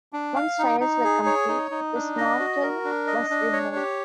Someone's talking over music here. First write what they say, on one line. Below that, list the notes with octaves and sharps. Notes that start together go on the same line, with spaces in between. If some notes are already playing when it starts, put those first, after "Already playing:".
Once trials were complete the Snorkel was removed.
D4
F5
D#4
D#4
G#4
C#5
D#4
D#4
D4
D#5
F#4
A#4
D4
D#5
D4
C#5
G4